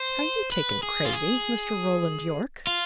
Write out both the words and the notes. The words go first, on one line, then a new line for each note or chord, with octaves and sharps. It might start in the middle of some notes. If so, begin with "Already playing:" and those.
"Are you taken crazy, Mr. Roland Yorke?"
Already playing: C5
B4
G#4
F4
G#4
F4